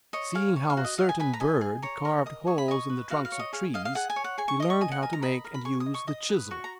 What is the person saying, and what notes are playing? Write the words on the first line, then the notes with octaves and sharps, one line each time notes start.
Seeing how a certain bird carved holes in the trunks of trees, he learned how to make and use the chisel.
C#5 D#5
G#4 F5
C#5
F5
F#4
D#5
D#5 F5
G#5
B4 G#5
A#5
D#5 G#5
G#4
C#5 A#5
A#4
D#5 D#6
G#4 C#6
B5
D#5 C#6
B4
F#4 F5
F5
C#5
D#5
G#4 F5
D#5 F5
F5
G#4 F#5
G#5
C#5
F#5
G#4 G#5
C#6
D#5 D#6
C#6
D#5 G#5
F#5
A#4 G#5
A#5
D#5 B5
A#4
B5
G#4 C#6
D#6
D#5
C#6
D#5 D#6
B4
F#4 C#6
A#5